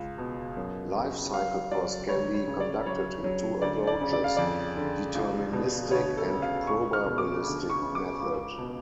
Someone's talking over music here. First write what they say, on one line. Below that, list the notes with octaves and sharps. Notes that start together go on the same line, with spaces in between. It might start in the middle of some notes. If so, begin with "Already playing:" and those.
Life cycle cost can be conducted in two approaches: deterministic and probabilistic method.
Already playing: C#2
B2
F#2
C#3
F#3 F5
F#3 D5
D2 C#5
C#5
C#3
D5
F#3 C#5
F#3
D2 D5
D5
C#3
D5
F5
F2 D5
D3
C#2
B2
D2 C#5
A4
C#3
F5
C#2 C#6
F6
B2
D6
D2
C#6
C#3
D6
C#2
B2